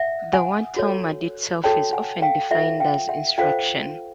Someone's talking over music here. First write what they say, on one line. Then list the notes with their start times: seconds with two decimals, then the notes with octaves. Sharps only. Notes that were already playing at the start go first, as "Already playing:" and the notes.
The word "Talmud" itself is often defined as "instruction".
Already playing: E5 F#5
0.33 F#5 G#5
0.77 F#4 A4 C#5
1.64 F#4 A4 C#5 G5 A5
1.93 F#5 G#5
2.22 F5 G5
2.51 F4 A4 C5 E5 F#5
2.80 F5 G5
3.09 E5 F#5
3.38 F4 A4 C5 F5 G5